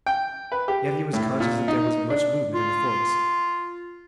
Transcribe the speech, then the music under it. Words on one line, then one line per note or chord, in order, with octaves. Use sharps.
Yet he was conscious that there was much movement in the forest.
G5
B4
G4
A2
A#2
D#4
D4
F4